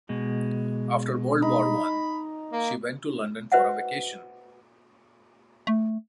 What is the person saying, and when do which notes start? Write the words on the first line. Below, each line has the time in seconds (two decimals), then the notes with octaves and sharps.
After World War One, she went to London for a vacation.
0.09 B2 G#3
1.42 D#4 B5
2.53 A#3
3.52 F#4 B4 C5 D#5 E5 F#5
5.67 A3